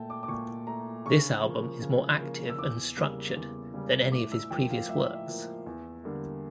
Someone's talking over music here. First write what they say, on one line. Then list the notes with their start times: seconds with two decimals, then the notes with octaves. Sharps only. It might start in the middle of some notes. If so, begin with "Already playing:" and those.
This album is more active and structured than any of his previous works.
Already playing: A#2 A3 G5 A5
0.10 D6
0.23 D6
0.28 A#2 C#6
0.67 A3 A#5
1.05 C#3 C#6
1.44 F3 A#3
1.82 C#3
2.20 F3 A#3
2.50 E6
2.58 E2 D6
2.97 C#3 G3 A#3
3.36 E2
3.74 C#3 G3 A#3
4.12 A2 D6
4.32 E6
4.50 F3 A#3 G5
4.70 F5
4.89 A2 E5
5.14 E5
5.27 F3 A#3
5.66 E2
6.04 D3 G3 A#3